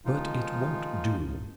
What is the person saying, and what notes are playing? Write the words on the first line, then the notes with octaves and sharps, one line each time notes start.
'But it won't do.
D#3 F3 G#3 D#4 F4